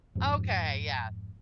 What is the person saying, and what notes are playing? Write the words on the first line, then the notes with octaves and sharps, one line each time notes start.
Okay, yeah.
F2 G#2 F3